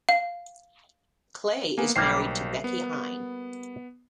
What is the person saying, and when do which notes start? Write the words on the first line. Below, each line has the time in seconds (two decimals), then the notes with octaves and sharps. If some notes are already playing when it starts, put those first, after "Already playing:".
Clay is married to Becki Hine.
0.09 F5
1.78 A#3 B3 G#5
1.96 B1 G3 A#3 C5 G5 C7
2.64 B3